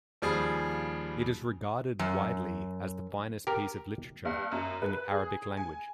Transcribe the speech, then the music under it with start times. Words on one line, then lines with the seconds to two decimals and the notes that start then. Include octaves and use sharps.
It is regarded widely as the finest piece of literature in the Arabic language.
0.22 D#2 F3 G3 G#4 G#5 B5
1.99 F#2
3.47 G4 A#4
4.25 G2
4.52 F#2
4.82 B4
5.11 G#4
5.57 G#5